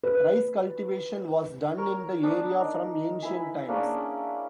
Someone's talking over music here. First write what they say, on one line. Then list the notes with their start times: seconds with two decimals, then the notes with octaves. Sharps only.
Rice cultivation was done in the area from ancient times.
0.03 B4
1.77 A#4 C#5
2.23 D4 D#6
2.60 D#4
3.22 E4 B4 G#5
3.68 A#3 C#4 D4 G#4